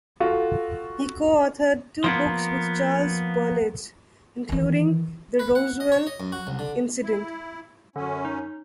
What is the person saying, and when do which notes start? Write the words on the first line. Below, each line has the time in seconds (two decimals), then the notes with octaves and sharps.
He co-authored two books with Charles Berlitz, including "The Roswell Incident".
0.20 F4 F#4 A4
2.04 F3 A#3 B3
4.49 D#3 E3
5.39 B4
5.55 F#5
5.80 D#5
5.92 C#5
6.07 D#5
6.20 F#2
6.32 F#4
6.47 C2
6.59 D3
7.03 E4
7.96 F#2 D3 C#4
8.25 D#4